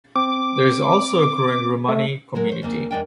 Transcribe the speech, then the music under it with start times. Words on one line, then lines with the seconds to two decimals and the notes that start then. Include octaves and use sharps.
There is also a growing Romani community.
0.16 C4 D6
1.89 A3
2.35 F#3 G#3 A#4
2.49 C5 C#5
2.62 D2 C#3 A#3 C4
2.91 E2 C#3 G#3 D4 A#4 G5